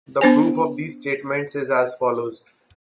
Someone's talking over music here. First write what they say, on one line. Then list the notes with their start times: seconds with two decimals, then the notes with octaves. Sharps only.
The proof of these statements is as follows.
0.21 B3 D4 C5 G#5